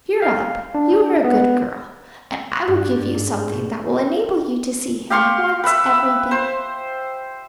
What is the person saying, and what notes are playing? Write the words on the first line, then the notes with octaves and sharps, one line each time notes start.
But cheer up, you are a good girl, and I will give you something that will enable you to see him once every day.'
F5
D4
B3
F#6
G2
D5
G2
G#2
C4
B2
G4 F5 C6 C#6
B4 E5
C5